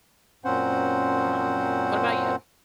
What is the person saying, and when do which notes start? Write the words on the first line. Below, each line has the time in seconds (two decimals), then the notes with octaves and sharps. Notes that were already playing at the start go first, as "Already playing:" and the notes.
Um, what about you?
0.45 F#2 A#2 C4 C#4 C5 F#5